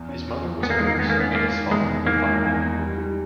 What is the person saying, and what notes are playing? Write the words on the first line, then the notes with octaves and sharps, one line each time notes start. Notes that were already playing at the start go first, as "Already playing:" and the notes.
His mother was a nurse and his father a fireman.
Already playing: E2
C#4
C#4
E2
E2 B3
A#3
D#3 G#3
A#3
G#3 B3
A#3
B3 C#4
G#3 A#3
D#3
E2 G#3
G#3
A#3 D#4
G#3
E2
D#4
G3
G3